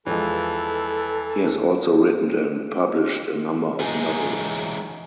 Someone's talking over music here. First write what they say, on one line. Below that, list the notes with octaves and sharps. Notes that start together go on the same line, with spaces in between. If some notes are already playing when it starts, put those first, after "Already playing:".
He has also written and published a number of novels.
E2 E3 F3 G#3 A4
E3 F#3 G#3 D#4 G#4